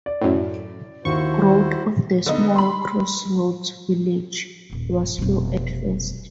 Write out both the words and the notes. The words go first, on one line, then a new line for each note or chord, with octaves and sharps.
Growth of the small crossroads village was slow at first.
D5
F#2 A2
D#2 E4 F#4 C5 C#6
D3 B3 D#4
B5 C6
D#1 G2
F1 B2